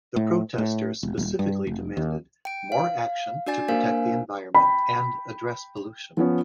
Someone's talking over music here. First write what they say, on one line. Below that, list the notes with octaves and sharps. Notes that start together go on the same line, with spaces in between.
The protesters specifically demanded more action to protect the environment and address pollution.
A2
A2
E1
D#1
G2
F1
D#2
G5 D7
F5
D4 F#4 D5 G#5 A6
A#3 D4 A#4 C5 F5 G#5
G5 B5
F3 B3 C#4